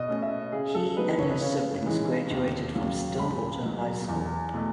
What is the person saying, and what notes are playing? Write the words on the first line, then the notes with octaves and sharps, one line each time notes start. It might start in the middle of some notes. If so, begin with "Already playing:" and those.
He and his siblings graduated from Stillwater High School.
Already playing: B2 D#5
A3 C#4
E5
C#3 G#4
A4
G#3 B3 D#4 B4
C#5
B4
C#3 C#5
E3 G#3 D#4
D#2
C#3 F#3
C#2 B5
B2 F#3
E2
B2 A3